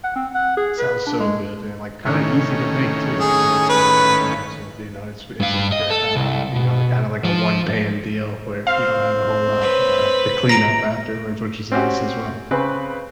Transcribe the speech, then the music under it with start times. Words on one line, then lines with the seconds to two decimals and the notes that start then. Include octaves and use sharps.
Sounds so good, dude. And, like, kinda easy to make too at the same time. So, I'd imagine, you know, it's is it for, uh, you know, like, kinda like a one-pan deal where you don't have a whole lot, uh, to clean up afterwards, which is nice as well.
0.04 F#5
0.16 C4
0.34 F#5
0.57 G#4
0.78 B4
1.06 D4
1.20 G#3
2.06 A2 D#3 C#4
3.20 G#4
3.69 B4
5.40 G2 F5
5.72 D#5
5.90 A4
6.16 C2
6.56 B2
7.24 F3
8.67 C4 F5
9.61 B4 C#5
10.49 A#5 A#6 D7
11.72 C4 C#4 F#4 G4
12.51 C#3 C4 B4